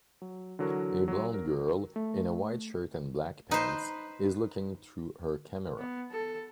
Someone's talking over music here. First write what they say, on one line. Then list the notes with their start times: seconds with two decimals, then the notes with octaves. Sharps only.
A blond girl in a white shirt and black pants is looking through her camera.
0.22 F#3
0.59 D3 E3 F#3 F#4 A4 A#4
1.08 F#3
1.34 A#4
1.96 A3
3.51 D#4 B4 C5
5.78 B3
6.11 A4